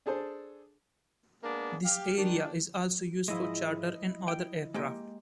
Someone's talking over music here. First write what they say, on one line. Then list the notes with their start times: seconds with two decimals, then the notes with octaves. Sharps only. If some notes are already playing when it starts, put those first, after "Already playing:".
This area is also used for charter and other aircraft.
0.06 D4 G#4 A4 C5
1.44 G#3 A#3 B3 D4
1.84 G4 F5
2.17 D#3 D4
3.28 G#2 F3 G#3 E4 D#5
4.28 G5
4.74 G#3 A#3 G4